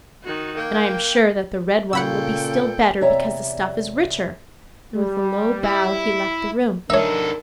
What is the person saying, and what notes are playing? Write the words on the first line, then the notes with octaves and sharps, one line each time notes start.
'And I am sure that the red one will be still better, because the stuff is richer,' and with a low bow he left the room.
D#3 F#4
A#3 G5
A#2 C#3 A4 F#5 G5 B5 E6
E2 C3 C#5 D5 E5 A#5
G3
E4
D4 D#4 A4 A#4 C#5 E5